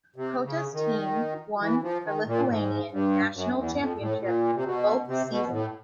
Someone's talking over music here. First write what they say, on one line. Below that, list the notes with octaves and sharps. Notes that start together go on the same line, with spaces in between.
Cota's team won the Lithuanian National Championship both season.
C3
C#3
D#3
E3
F3
D#3
A#2
G#2
G2
F#2
E2
F#2
F2
A2
A#2
C3
B2
C3
B2
A2